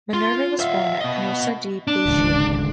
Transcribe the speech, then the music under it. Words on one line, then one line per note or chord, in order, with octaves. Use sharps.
Minerva was born at Canosa di Puglia.
F4
E5 F5
B3 D#5
D4
D1 G#1 C#2